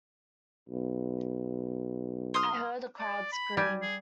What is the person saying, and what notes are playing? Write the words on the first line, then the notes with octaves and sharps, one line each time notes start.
I heard the crowd scream.
B1
C6 D#6 F6
D5
B5
G3 G#5
G#4